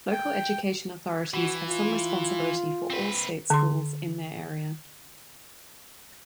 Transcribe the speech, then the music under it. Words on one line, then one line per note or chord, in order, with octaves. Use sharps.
Local education authorities have some responsibility for all state schools in their area.
G5
E3 F#4
F4
C4 B4
D3 C6